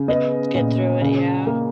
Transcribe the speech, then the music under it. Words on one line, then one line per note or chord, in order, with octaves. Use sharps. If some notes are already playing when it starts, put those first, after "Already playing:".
Eh, get through it, yeah.
Already playing: C#3
B3 D#5
A#2
C#3
A#3